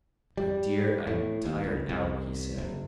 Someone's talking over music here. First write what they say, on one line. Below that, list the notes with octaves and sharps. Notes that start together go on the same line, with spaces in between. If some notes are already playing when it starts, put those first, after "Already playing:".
"My dear, I am tired out," he said.
G3
A2
D#2
C#2
C2
F#1